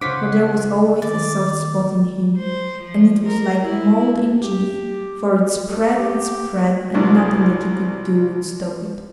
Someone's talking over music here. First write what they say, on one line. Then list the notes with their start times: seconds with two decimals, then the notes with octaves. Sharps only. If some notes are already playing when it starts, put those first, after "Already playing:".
But there was always a soft spot in him, and it was like mould in cheese, for it spread and spread, and nothing that you could do would stop it.
0.01 C#3 D4 F4 C5 C#5 F#5 D6 B6
1.02 D#3 D5
2.37 C5
2.83 F3
3.26 A#4
3.61 E4
4.41 G4
5.60 A3
5.96 G4
6.94 C2 F#3 D4